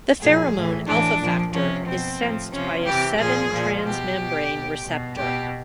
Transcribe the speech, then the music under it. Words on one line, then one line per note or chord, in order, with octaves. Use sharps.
The pheromone alpha-factor is sensed by a seven transmembrane receptor.
A#2 F3 G#4
A2 E3
A2 E3 D4
A#2 F3
C3 F3 C#4
B2 C4
A2 F3
C3 F3 C#4
C3 E3 G4
A#2 F3 G#4
A#2 F3
B2 G4
B2
B2
B2
B2 G4